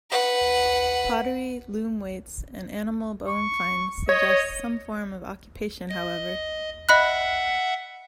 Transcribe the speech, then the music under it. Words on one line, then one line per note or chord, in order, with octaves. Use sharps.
Pottery, loom weights and animal bone finds suggest some form of occupation however.
B4 F#5
C#6
C#5 D#5
D#5
D#5 E5 F#5 B5 F#6